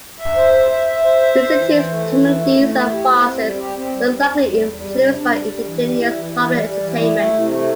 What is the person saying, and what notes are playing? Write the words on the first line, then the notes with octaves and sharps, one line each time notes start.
Vicente's comedies and farces were likely influenced by indigenous popular entertainment.
E5
C5
E5
E5
E5
C5
E5
C5
E3
E3
A3
E3
E4
A3
A3
E4
G4
C4
C4
G3
G4
C4
G3
C4
E2
G3
E2
G3
C3
D4
G3
G3
E3
G3
E4
E3
E3
G3
G3
E3
E4
A3
C3
A3